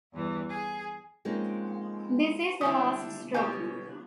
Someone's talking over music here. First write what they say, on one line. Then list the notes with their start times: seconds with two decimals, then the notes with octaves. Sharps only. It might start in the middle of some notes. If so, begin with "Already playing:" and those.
This is the last straw.
0.13 E2 G2 E3
0.50 G#4
1.25 F3 G#3 A#3 C4 C#4 D#4
2.61 G3 D4 E4 D#6
3.34 B2 C#4 G4 G#5 G6